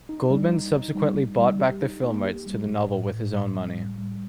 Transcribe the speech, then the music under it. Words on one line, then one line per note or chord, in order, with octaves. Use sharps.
Goldman subsequently bought back the film rights to the novel with his own money.
D#4
G3
D#4
D#4
G3
D#4
G3
G4
D#4
A#3
G4
G3
A2
A2
A2
G3
G3
A2
G3